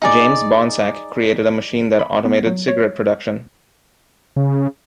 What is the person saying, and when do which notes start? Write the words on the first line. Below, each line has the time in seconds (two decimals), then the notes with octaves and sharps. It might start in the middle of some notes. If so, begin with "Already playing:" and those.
James Bonsack created a machine that automated cigarette production.
0.02 D#4 G#4 D5
1.99 B5
2.25 B3
2.46 F#3
2.68 C#5
4.36 C#3